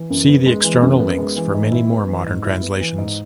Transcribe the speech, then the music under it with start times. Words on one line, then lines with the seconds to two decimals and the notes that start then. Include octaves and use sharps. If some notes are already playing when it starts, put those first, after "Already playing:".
See the external links for many more modern translations.
Already playing: E3
0.10 F#2
0.28 B3
0.46 G#3
0.64 E3
0.82 F#2
1.00 B3
1.18 G#3
1.36 E3
1.55 G#2
1.72 E4
1.90 B3
2.08 E3
2.26 G#2
2.45 E4
2.62 B3
2.80 E3
2.98 G#2